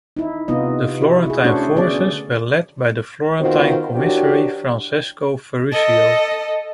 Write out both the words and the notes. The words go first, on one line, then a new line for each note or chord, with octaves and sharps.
The Florentine forces were led by the florentine commissary Francesco Ferruccio.
D#4 E4
C3 B3 D#4 F4 D#5
E4 F#4
E4 G#4
A3 C#4 D4 F#4 C5 C#5
D3 B3 C#4 G#4 D5
D#3 B3 C4 F4 F#4 C5
E3 D4 F#4 G4 A#4 C#5
A4 D#5